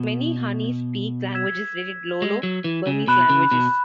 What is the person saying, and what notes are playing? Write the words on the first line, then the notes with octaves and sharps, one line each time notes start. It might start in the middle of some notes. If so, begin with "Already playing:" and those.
Many Hani speak languages related Lolo-Burmese languages.
Already playing: B2
E6 G#6 B6 E7
G#3
F#3
E3
C#3
B2 B5 F#6 E7
C#3
B2